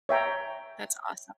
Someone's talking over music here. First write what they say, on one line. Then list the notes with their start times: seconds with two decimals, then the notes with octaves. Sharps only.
that's awesome.
0.09 C#5 E5 G5 A#5